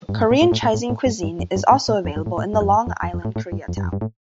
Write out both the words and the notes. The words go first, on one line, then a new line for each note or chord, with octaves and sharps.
Korean Chinese cuisine is also available in the Long Island Koreatown.
G2
A2
G2
A#2
A2
A2
A2
A2
A2
G2
G2
F2
G2
A2
A#2
F2
G2
A2
A2
G2
F2
G2
F2
F2
F2
A2
A2
G2
F2
G2
F2
G2
A2